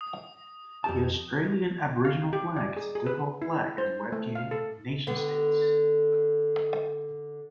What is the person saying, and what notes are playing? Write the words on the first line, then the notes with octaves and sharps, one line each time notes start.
The Australian Aboriginal Flag is the default flag in the web game "NationStates".
D#6
F2 G4 A5
F5
G4
D5
G#4
G#4
B4
E4
C5
A3
F5
A4
D3 B3